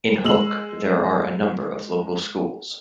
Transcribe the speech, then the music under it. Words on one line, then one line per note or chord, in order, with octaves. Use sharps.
In Hook, there are a number of local schools.
G#3 E6 F#7